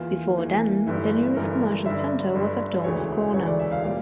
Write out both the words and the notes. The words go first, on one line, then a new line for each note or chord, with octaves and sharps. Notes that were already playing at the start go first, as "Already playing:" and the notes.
Before then, the nearest commercial center was at Doan's Corners.
Already playing: E2 E3 A#3 F4
E2 E3 A#3
G1 G2 E3 A3 E4
G1 G2 E3 A3 A#4
G1 G2 D3 E5
G1 G2 D3
E1 D2 C#3 E3 A3 C#5
E1 D2 C#3 E3 A3 C#5
D5
E5
F5
A#2 G3 A#3 F5